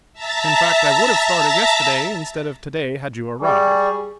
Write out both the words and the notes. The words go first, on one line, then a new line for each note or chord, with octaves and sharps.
In fact, I would have started yesterday instead of to-day, had you arrived.
E5 A5 A#5 A6 B6
G3 G#4 C#6